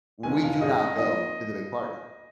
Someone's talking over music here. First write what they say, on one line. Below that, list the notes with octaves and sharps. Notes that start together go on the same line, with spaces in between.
We do not go to the big party.
F1 F2 D#3 G#5
F5
G#1 G#2 G#3 C#4 G#4 D#5
D#5
F3 A#3 D#4 D#5